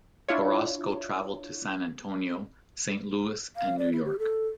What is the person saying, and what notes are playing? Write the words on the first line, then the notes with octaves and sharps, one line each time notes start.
Orozco traveled to San Antonio, Saint Louis and New York.
D4 E4 F4 C#5
F5
D5
E4
G4
A4